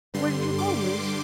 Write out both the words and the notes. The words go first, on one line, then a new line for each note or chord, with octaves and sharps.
'Where did you go, Liz?'
G2 D3 G3 C6
D6